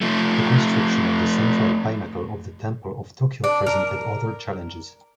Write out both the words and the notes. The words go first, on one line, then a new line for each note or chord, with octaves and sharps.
The construction of the central pinnacle of the temple of Tokio presented other challenges.
F3 A3
D4
A#4